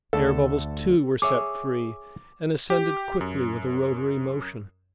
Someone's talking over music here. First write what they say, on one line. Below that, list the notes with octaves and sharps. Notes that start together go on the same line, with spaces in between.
Air-bubbles, too, were set free, and ascended quickly with a rotary motion.
D2 A4
G#4 C#5 E5 D6
G4
F#2